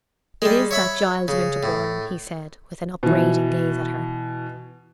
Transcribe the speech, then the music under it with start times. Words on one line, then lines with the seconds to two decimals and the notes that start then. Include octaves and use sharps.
"It is that Giles Winterborne!" he said, with an upbraiding gaze at her.
0.42 G3 G#3
0.71 C#5 E5 B5
1.28 C#3
1.63 A2
3.03 B2 E3